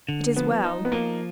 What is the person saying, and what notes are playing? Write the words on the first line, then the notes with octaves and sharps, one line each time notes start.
It is well.
D3
F3 B3
D#4
B3
F3 A#3